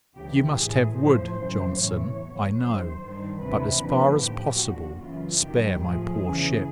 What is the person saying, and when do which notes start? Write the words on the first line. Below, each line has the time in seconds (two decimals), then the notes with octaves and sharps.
You must have wood, Johnson, I know, but, as far as possible, spare my poor ship.
0.15 D2 C#3 E3 G4
0.56 A2 E3 G#4
0.96 A2 F3 C5
1.37 F#2 C#3 E3
1.76 A2 E3 C#5
2.17 E2 B2
2.58 F#2 D#3 C5
2.97 G2 D#3
3.38 D2 C3 E3 B4
3.78 D#2 D3 F3 B4
4.19 A2 F3 G4
4.59 D#2 D3 F3 F#4
5.00 F#2 C#3 E3 F4
5.40 F#2 D#3 G4
5.80 A2 F3 G#4
6.21 E2 C#3 E3 G#4